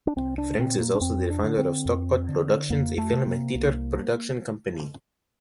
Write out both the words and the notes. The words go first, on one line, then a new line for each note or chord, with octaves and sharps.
Franks is also the founder of Stock-pot Productions, a film and theatre production company.
D4
C2 C4
D4
A#2 C4
A#3
D4
F2 C4
D4
D3
C4
F2
D3
F2 A#3
A3
C3
A#3
C2